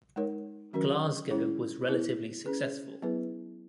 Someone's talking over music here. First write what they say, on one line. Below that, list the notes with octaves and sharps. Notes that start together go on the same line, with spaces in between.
Glasgow was relatively successful.
G#3 D#4 A#4 C#5
D#3 F#3 C#4 F#4 A#4
G#3 C#4 E4 G#4
B3 E4 B4
C#4 G#4 B4
F#3 B3 E4 G#4 B4